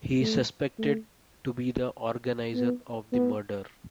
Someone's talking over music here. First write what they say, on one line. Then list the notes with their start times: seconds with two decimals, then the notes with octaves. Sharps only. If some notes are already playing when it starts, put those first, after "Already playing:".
He is suspected to be the organizer of the murder.
0.21 A3
0.79 A3
2.54 B3
3.13 B3